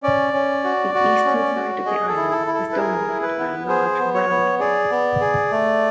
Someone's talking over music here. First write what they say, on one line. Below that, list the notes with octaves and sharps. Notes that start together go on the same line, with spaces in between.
The eastern side of the island is dominated by a large round bay.
C#4 D5
C#4
F#4
F#4
C#4
F#4
G#4 D#5
A4
E4
A4
E4
A4
B4
G#4 A#4
E4
B4
B3
G#4 C5
B3
C#5
B3
G#4 D5
B3
G#4
A3